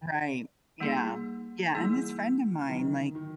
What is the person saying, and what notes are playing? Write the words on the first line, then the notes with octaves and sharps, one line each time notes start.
Right. Yeah, yeah, and this friend of mine, like
G3 A#3 D#4 G#4
E3 G3 A#3 D#4 G#4
D3 D#3 F#3 B3 D4
D#3